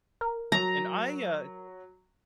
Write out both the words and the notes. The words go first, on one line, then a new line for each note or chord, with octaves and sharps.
And I, uh
A#4
F#3 A#5